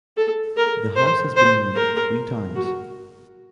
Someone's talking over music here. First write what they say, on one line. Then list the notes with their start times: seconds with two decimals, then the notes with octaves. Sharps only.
The house has been moved three times.
0.17 A4
0.57 A#4
0.96 C5
1.36 C5
1.75 A#4
2.55 F#4